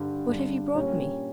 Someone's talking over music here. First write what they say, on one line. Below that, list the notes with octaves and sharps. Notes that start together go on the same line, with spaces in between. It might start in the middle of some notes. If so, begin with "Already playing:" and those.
What have you brought me?'
Already playing: G2 D3 G3
G2 D3 G3
A#2 G3 C#4 C#5